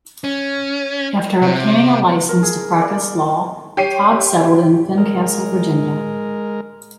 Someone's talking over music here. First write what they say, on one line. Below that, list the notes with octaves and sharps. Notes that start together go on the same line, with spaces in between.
After obtaining a license to practice law, Todd settled in Fincastle, Virginia.
C#4
C3
A#4
G#4
D5
G4 C#5 C7 D#7
G#3 A#4